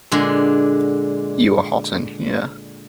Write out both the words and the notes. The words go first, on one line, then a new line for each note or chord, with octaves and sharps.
You are hot in here!
A#2 D3 G#3